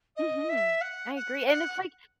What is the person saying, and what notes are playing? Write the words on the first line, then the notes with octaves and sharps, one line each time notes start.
Mhm, I agree, and it's, like,
D#5
E5
F#5
F#5
F#5